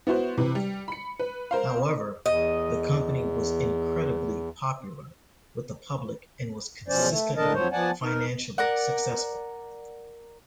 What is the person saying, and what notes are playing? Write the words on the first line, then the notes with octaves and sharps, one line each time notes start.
However, the company was incredibly popular with the public and was consistently financially successful.
B3 E4 F#4 C5
C3 E3 B4
G3
B5 C#7
B4
A#4 C5 F5
E2 D#5
E2 B2 F3 C#4 C5 D5
A3
A2 D3 D4 A#4 D#5 A5
F2 F3 F#3 C5 C#5
F3 B3 D5 F#5 G#5 A5
D#4 A#4
A#4 D5 F#5